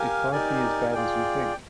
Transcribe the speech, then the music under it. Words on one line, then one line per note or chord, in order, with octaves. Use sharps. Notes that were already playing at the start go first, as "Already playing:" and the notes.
It can't be as bad as you think.
Already playing: G4 A#4 F5 G#5
D#4 G4 A#4 D5 G#5
F4 G#4 D5 G5